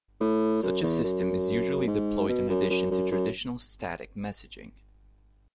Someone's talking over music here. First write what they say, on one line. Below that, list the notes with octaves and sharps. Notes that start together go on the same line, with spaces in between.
Such a system is usually deployed in addition to traditional static messaging.
A2
F#2
E2
F#2
G#2
B2
F#2
F#2
F#2
F#2